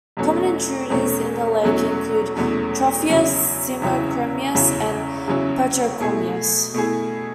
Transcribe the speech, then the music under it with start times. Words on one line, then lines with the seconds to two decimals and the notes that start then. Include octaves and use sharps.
Common intruders in the lake include "Tropheus", "Simochromis", and "Petrochromis".
0.17 E2 B2 F#3 A3 C#4
0.90 E2 B2 F#3 A3 C#4
1.63 E2 B2 F#3 A3 C#4
2.36 E2 B2 F#3 A3 C#4
3.09 E2 C#3 F#3 C#4 E4
3.82 E2 C#3 F#3 C#4 E4
4.55 E2 C#3 F#3 C#4 E4
5.27 E2 C#3 F#3 C#4 E4
6.00 B2 A3 E4 G#4
6.74 B2 A3 E4 G#4